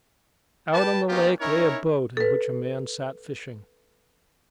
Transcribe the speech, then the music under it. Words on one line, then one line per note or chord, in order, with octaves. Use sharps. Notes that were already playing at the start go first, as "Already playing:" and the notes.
Out on the lake lay a boat in which a man sat fishing.
B4 G5 A5
A#3 B3 C#4 D#4 F4 G4
C#4 D#4 E4 A#4 C#5
A4 B4